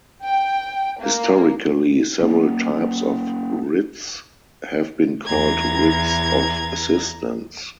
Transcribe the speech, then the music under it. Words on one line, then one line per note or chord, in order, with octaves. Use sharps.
Historically, several types of writs have been called "writs of assistance".
G5
A#3
A#3 C#4
E2 A#5 G#6